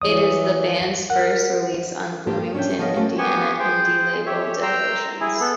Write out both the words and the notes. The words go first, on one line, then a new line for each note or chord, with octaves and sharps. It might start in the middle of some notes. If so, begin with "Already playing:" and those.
It is the band's first release on Bloomington, Indiana indie label Dead Oceans.
E3 C#5 D5 D#6
A#4 F#5
C5
G2 A#3 D4 G4 A4
F3
C#4 D4 C#5 E5 G5
F3 B3 G#4 C#5 D#5 F5
A3 A#3 C4 C#4 F4 F#4
B3 G4 G#5 C#6
G#4 C5 G5
G4 C#5 E5
G5 A#5 C6 E6
E4 G#4
B3 A4